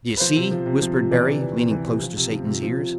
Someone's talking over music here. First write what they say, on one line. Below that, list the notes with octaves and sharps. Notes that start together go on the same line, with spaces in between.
"D'ye see?" whispered Barry, leaning close to Satan's ears.
B4
F3 C5
C3
F3
C3
F3
C3
E3 D5
C3
E3
C3
E3
C3
F3
C3
F3
C3
F3
C3